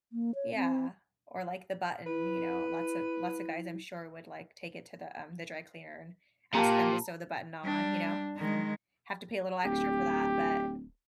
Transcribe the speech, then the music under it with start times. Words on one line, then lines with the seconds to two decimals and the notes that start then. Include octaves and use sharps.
Yeah, or, like, the button, you know, lots of lots of guys I'm sure would, like, take it to the, um, the dry cleaner and ask them to sew the button on, you know, and have to pay a little extra for that, but
0.13 A#3
0.35 C#5
0.55 C4
2.06 E4 B4
6.55 A#2 A#3 G4 A5 A#5
7.63 G3 D4
8.37 D#3 G#3
9.65 D1 G4